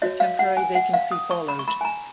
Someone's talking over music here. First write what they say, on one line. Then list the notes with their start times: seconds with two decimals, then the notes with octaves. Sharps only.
A temporary vacancy followed.
0.02 F#4 C#5 D#5
0.20 F5
0.39 F#5
0.57 G#5
0.75 F#5
0.93 F5
1.12 D#6
1.31 C#6
1.48 B5
1.59 C#6
1.68 B5
1.81 G#5
1.85 A#5